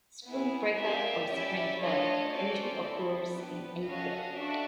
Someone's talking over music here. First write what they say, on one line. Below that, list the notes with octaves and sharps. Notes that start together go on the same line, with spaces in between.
Spring break-up, or spring thaw, usually occurs in April.
B3 E4 G#4
A#3 D#4 G4 D5 E5
C#4 E4 G4 D5 E5
A3 D4 F4 A4 C#5 D#5
C#4 F#4 A4 C5 D5
C4 E4 A4
B3 D4 G4 B4
C#4 F#4 A4 D#5 F5
D4 F#4 A4 D5 E5